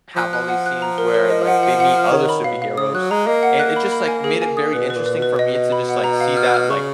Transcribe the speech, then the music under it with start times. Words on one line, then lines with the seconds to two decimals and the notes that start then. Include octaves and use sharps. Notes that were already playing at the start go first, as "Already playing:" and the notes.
have all these scenes where, like, they meet other superheroes, and it just, like, made it very interesting for me to just, like, see that, like,
0.16 F3 F#6
0.33 F#6
0.49 F#5
0.66 F#6
0.82 A#5
0.98 A#4
1.14 A#4
1.30 D#5
1.47 F#5
1.63 F#5
1.80 F#5
1.95 F6
2.12 D#3 C#5
2.29 B5
2.44 B2 F5
2.62 F5
2.77 C#3 D#6
2.94 F#3 F#6
3.11 G#3 A#5
3.27 A#3 D#5
3.43 F#5
3.59 F#6
3.76 B5
3.92 B5
4.08 G#5
4.24 G#4
4.42 G#5
4.57 D#6
4.73 B2 B4
4.90 B4
4.95 A#2
5.06 B4
5.17 B2
5.22 B4
5.39 D#5
5.55 D#5
5.72 B5
5.89 F#5
6.04 A#5
6.20 F5
6.37 F6
6.54 F6
6.70 C#3 C#6